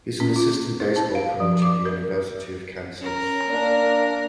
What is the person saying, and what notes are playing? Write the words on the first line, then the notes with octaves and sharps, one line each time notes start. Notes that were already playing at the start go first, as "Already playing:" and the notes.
He is an assistant baseball coach at the University of Kansas.
C#4
F4
C5
A5
F5
F3
D6
A#4
C#4 A#4
A#3 D4